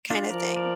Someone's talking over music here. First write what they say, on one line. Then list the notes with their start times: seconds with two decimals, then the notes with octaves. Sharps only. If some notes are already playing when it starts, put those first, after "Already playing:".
kinda thing.
0.10 D4 F4
0.30 F3 A#4 D5
0.56 A#4 D5